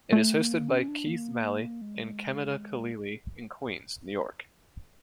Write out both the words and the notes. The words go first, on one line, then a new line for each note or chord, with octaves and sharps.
It is hosted by Keith Malley and Chemda Khalili in Queens, New York.
A3
A#3
C#4
D4
A#3
G#3